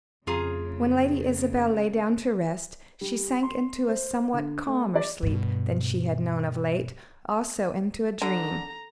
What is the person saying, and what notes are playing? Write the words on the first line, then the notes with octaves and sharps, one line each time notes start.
When Lady Isabel lay down to rest, she sank into a somewhat calmer sleep than she had known of late; also into a dream.
F2 C#3 A3 F4 G#4 A#5
G3
C6
C5
D3
A3
D5
G2 B2
D3 A#5